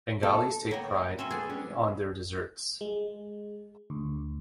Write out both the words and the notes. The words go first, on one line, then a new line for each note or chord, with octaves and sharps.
Bengalis take pride on their desserts.
A4
A#3 B3 C#5 F#5 G5
F#2 C4 C#4 E5 G#5
B3 G#4 A4 D5
G3 C#4 D4
G#3
D2